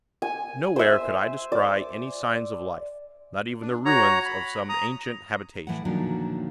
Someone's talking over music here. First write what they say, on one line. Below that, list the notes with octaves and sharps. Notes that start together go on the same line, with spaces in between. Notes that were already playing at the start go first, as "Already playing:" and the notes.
Nowhere could I descry any signs of life; not even the ruins of some ancient habitation.
G#5
C5 E5
D5
D4
F#4 C#5 A#5
B5
A#5 D#6
A2 E3 A3 F#5
D2 A#2 D#3 F3 F#3 D4